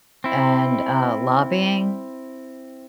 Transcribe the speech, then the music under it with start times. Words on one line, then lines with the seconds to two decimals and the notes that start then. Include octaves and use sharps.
and, uh, lobbying.
0.24 C4 E4